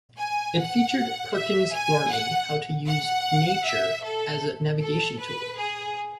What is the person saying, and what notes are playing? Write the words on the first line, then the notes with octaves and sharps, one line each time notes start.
It featured Perkins learning how to use nature as a navigation tool.
G#5
F#5
E5
G#5
F#5
F#5
E5
A4
A4
B4
G#4